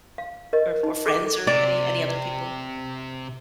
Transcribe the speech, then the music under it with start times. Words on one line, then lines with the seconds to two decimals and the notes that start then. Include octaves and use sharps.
or or friends, or any any other people?
0.18 F5
0.53 A#4 D#5
0.83 D#4
1.06 G#4 A4 D6
1.47 C3 D5